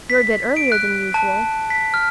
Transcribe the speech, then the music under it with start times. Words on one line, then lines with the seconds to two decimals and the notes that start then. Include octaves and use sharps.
"You're a bit earlier than usual."
0.10 B6
0.57 D7
0.72 F#6
1.14 A5
1.70 B6
1.94 F6